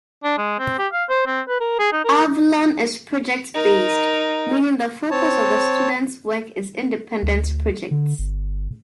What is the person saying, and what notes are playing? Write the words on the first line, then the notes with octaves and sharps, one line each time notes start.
Avalon is project-based, meaning the focus of the student's work is independent projects.
D4
G#3
C4
G4
F5
C5
C4
B4
A#4
G#4
D#4
A#4
D#4 A#4
C4 C#5 A5
D2
D3
G1